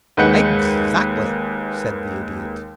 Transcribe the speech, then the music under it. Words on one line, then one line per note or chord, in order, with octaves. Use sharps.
"Exactly," said the Idiot.
D#2 G#3 B4 F#5 G6 C#7